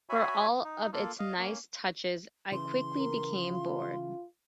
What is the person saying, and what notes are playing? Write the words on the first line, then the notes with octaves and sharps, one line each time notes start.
For all of its nice touches, I quickly became bored.
F#4 C#5 E5 G#5 B5
D#4
A#3 F4 A4
D#5 F5
A#3 C#4
C#3 E3 C6
A#4
F4